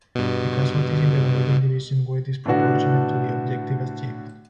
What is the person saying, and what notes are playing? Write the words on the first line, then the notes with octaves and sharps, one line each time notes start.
The casualties in the Bolivian division were disproportionate to the objective achieved.
G2 B2
A2 D3 B3 D4 F#4